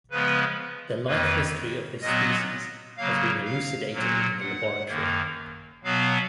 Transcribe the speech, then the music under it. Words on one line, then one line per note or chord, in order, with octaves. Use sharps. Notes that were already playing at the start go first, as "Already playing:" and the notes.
The life history of this species has been elucidated in the laboratory.
C#3 F3 G#3 B3 B4
F2 D#3 A#3 B4
A#2 F#3 B3 D#5
C#3 F#3 A#3 F5
F5
A#2 F#3 A#3
F#5
F#2 D#3 A#3
B2 F#3 B3 F5